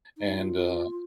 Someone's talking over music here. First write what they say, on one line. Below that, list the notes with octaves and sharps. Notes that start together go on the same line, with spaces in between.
And, uh
D#4
F4